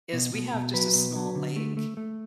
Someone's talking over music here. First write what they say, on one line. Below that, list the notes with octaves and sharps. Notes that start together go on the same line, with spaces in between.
is we have just a small lake,
B2
B2
B2
F#3 B4
B2
F#3
D3
A3
A3
A3